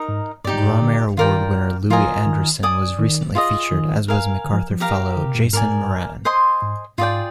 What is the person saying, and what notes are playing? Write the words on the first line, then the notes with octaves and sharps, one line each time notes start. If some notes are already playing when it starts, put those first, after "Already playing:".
Grawemeyer Award winner Louis Andriessen was recently featured as was MacArthur Fellow Jason Moran.
Already playing: D#4 A#4 D#5
G#2
G2 D#4 G4 D5
G2
G#2
D3
D#3 F4 A#4 D5 G5
F3 F4 A#4 D#5 G#5
D#3
D5 G#5 D#6
D#3
F4 G#4 D#5
D#3
A#4 F5 G#5
D3
F3
F3
G4 A#4 F5 A#5
D3
C3
A#2
G2
G#2 A#4 D5 G#5
C5 D#5 G#5 C6
G#2
G#2 F4 G#4 D5 G5